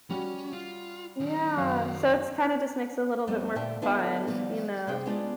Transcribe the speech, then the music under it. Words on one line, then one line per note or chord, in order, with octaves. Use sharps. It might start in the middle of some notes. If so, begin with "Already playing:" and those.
Yeah. So it's kinda just makes it a little bit more fun, you know.
G3 C#4 F#4
F4
D#3 C#4
F#2 F5 F#6
F2 G3 A3 B3 C4
A#2 D3 E5 G5 A5
D3 B3 D4 E4 F4 A5
D#3 F3 G3 A#3 B3
C3 C4 G#4 G5
G#3 B3 C#4 D4 F4